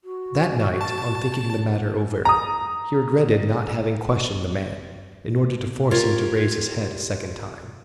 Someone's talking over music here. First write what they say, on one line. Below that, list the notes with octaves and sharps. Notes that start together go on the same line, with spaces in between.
That night, on thinking the matter over, he regretted not having questioned the man, in order to force him to raise his head a second time.
F#4
A5
A#5 D#6
F4 G4 A#4 C#5